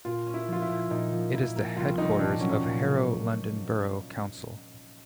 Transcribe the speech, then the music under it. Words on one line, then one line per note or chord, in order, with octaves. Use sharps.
It is the headquarters of Harrow London Borough Council.
A#2 F4
C#4
E4
F3 F4
E4
A#2
A#2 D#4
F3
A#3 E4
A#3
C2 F4
C2 D#4
A#2 D4
F#3 C#4
A#2